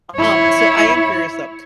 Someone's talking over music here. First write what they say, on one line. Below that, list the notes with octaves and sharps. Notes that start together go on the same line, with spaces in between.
Um, so I am curious though,
E4 C#5